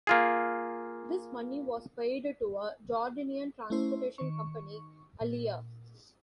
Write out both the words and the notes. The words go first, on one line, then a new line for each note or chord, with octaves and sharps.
This money was paid to a Jordanian transportation company, Alia.
A#3 F4 G#4
A3 C#4 E4 C5
D#3 C#6
A#2